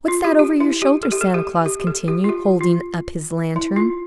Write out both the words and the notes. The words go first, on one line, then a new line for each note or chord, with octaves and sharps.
"What's that over your shoulders?" Santa Claus continued, holding up his lantern.
F4
G4
G4
E4
G4
A4
G4
A4
G4
G4
G4
A4
G4
F4
G4
F4
E4
F4